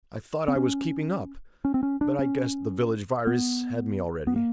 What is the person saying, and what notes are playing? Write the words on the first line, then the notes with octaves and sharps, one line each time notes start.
I thought I was 'keeping up.' But I guess the Village Virus had me already.
C4
C#4
C#4
C4
C#4
D4
C#4
B3
B3
A#3